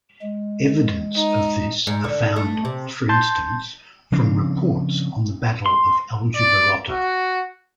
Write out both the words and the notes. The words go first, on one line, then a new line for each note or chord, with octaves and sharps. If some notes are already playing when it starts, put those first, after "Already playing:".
Evidence of this are found, for instance, from reports on the Battle of Aljubarrota.
G#3
D#4
G#2
D3
A3
C3
A5 C6 G6
C#3 F3 C4 D4
C6
D5
F#4